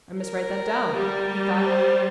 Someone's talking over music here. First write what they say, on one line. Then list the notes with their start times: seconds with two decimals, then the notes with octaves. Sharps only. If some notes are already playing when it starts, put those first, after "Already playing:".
"I must write that down," he thought.
0.21 A#4
0.93 G3
1.65 C5